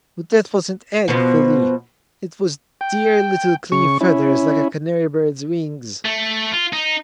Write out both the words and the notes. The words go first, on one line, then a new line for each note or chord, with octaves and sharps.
"But that wasn't egg, Philly--it was dear little clean feathers, like a canary-bird's wings."
B2 F3 B3
G5
C#3 C#6
C#4 E4
A3
F4
D#4